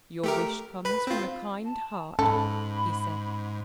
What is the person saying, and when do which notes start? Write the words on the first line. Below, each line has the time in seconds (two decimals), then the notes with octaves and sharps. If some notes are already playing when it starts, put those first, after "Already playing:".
"Your wish comes from a kind heart," he said.
0.24 A3 G4 A#4
0.85 B4 B5
1.07 C4 F4
1.64 A5
2.19 G#2 C#4 A4 B5